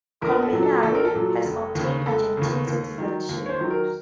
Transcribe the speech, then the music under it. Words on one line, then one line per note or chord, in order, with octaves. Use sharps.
Colmenares has obtained Argentine citizenship.
A#1 A#4
A4
A#2 F#3
A4
A#1 A4
A#4
A4
A#2 F#3
F1
D#2 C#3
F1 A4
D#2 C#3
D#2
D#3 F#3
D#2
C#5
C5
D#3 F#3
A#4